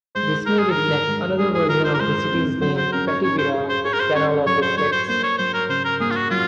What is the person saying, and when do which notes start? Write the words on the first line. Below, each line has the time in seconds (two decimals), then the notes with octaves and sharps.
This may reflect another version of the city's name, Patibira, "Canal of the Smiths".
0.15 G#3 C5
0.46 G#3 A#4
0.58 G#4
0.71 D#3 A#4
1.07 G#3
1.38 G#3 G#4
1.54 G#4
1.69 F4 A#4
1.84 C5
1.94 A#4
2.00 G#3 C5
2.31 C4
2.61 F#3 C5
2.77 C5
2.92 C#4 A#4
3.08 C#5
3.23 C#4 C#5
3.38 C5
3.54 G#4
3.69 C5
3.85 G#4 C#5
3.93 A#4
4.00 C5
4.15 C#4 C#5
4.46 F#3 C#5
4.62 C5
4.77 F#3 C#5
4.92 C5
5.08 A#3 C5
5.23 C#5
5.38 F#3 C5
5.54 A#4
5.69 C#3 C5
5.85 A#4
6.00 A#3 G#4
6.10 F4
6.16 F#4
6.31 F#3 F4